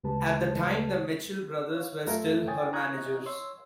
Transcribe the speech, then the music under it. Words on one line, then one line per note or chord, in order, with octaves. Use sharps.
At the time the Mitchell Brothers were still her managers.
D2 C#3 G#3 G4 B4 A5
C#5
F#2 A3 F4 A4 A#4 E5
C#5 G5 G#5 D#6 A6
A#5 C#6 D#6 F#6 G#6
C#5 C6 E6